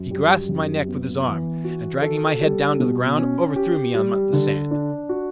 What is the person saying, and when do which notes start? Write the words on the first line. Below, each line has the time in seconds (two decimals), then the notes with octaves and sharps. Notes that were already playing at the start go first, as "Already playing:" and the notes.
He grasped my neck with his arm, and dragging my head down to the ground, overthrew me on the sand.
Already playing: F#2
0.11 G3
0.49 F#2
0.88 B3
1.26 E3
1.64 F#4
2.02 A4
2.41 G3
2.80 B2
3.17 C#4
3.56 G4
3.95 G3
4.33 D3
4.71 D4
5.09 F#4